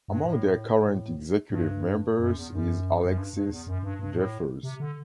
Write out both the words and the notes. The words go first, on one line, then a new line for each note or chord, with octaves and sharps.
Among their current executive members is Alexis Jeffers.
G2
A2
A2
G2
F#2
E2
F#2
F#2
G2
G2
E2
F#2
G2
G2
A2
C3
D3